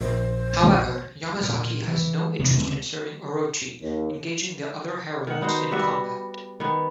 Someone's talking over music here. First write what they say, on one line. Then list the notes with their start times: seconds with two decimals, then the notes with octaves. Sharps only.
However, Yamazaki has no interest in serving Orochi, engaging the other Heralds in combat.
0.01 A#1 C5
1.43 A#2
1.87 E3
2.39 E1 C3 B3
2.58 C#2 D3 G#3 C4
3.81 D#2
5.27 D#3 F#5
5.41 B3 D#4 F#4 C5
5.71 G3 B3 F#4 E5
6.60 D#3 B3